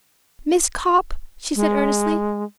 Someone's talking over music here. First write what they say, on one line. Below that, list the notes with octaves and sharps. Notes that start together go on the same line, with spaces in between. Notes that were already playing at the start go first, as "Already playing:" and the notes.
"Miss Copp," she said earnestly.
G#3